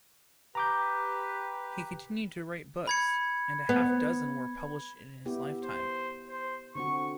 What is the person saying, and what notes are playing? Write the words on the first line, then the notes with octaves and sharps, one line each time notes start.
He continued to write books, and a half dozen were published in his lifetime.
G4 B4 A#5 D6 G6
B5 G#6 C#7
B3
B3 E4 G4
C5
C5
D3 C4 F#4 C#6